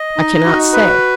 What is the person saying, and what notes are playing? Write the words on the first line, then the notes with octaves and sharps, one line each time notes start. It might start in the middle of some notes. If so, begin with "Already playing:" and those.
I cannot say.
Already playing: D#5
D#4
F#4
B4